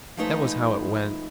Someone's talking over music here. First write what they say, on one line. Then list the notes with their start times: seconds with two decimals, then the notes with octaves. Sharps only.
That was how it went.
0.17 F3 G#3 A3 D#4 B4